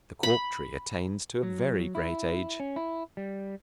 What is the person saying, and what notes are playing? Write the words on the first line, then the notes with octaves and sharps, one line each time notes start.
The Cork Tree attains to a very great age.
B5
F#3
E4
C#4
E4
G3